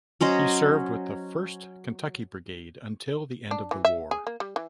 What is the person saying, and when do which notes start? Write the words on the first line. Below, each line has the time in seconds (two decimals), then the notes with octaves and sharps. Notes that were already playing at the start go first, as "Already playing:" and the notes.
He served with the First Kentucky Brigade until the end of the war.
0.21 F#3 C#4 C5 D#5
3.51 D4
3.71 E3
3.85 E5
4.11 G#4
4.27 A#3
4.40 G3
4.56 E3